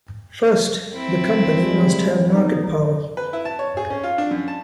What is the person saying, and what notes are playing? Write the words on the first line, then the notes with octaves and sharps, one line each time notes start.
First, the company must have market power.
C4 E4
G3 G#3
C#3 B3 D#4
B4
E4
A5
C#5
G#4
C#4
F4
D4
F#2
A5